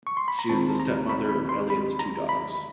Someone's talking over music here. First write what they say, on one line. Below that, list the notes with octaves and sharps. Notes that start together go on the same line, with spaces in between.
She is the stepmother of Elliott's two daughters.
C#6
C6
B5
A#5
D#2 D#3 G#3 C4 A5
A#5
B5
B5
C6
B5
A#5
B5